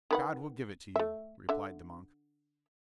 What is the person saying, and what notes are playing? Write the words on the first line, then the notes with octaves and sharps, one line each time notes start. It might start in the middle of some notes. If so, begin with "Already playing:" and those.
"God will give it to you," replied the monk.
D#3 B4 F#5
A3 E5
D3 E5